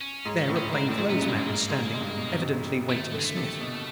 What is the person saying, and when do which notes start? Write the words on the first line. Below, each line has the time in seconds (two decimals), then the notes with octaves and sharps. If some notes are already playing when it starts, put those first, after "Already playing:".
There a plain-clothes man was standing, evidently awaiting Smith.
0.01 C#4
0.25 G#2
0.37 C#4
0.50 A2
0.56 C#4
0.73 G#2 C4
0.89 A2 C4
0.98 G#2
1.09 F#2 B3
1.22 G2 B3
1.28 A#3
1.46 G#2
1.70 G#2
1.93 G#2
2.00 G2
2.08 G#2
2.17 B2
2.41 C3
2.64 C3
2.89 D#3 A3
3.13 D3
3.19 G#3
3.25 A3
3.37 C3
3.60 B2
3.74 B2